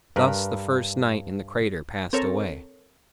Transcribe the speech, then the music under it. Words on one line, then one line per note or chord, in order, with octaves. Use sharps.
Thus the first night in the crater passed away.
G2 A#4 B4
C4 A4 A#4 C#5